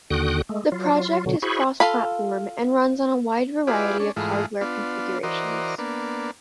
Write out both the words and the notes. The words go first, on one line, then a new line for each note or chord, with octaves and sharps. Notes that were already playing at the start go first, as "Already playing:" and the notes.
The project is cross-platform, and runs on a wide variety of hardware configurations.
D#2 D3 F#4 G5 D#6 F#6
G#3 A3
F#3 F4
B2 D3 F#3
E4 F#4 G#4 C5 B5 C#6
F4 A4 F5 B5
E4 F4 G4 G#4 B4 D5
C#4 D4
G#2 E3 G#3 A3 F4
B3 D4 F4
E3 F#4 A#4 C5 D5 D#5
A#3 B3 D4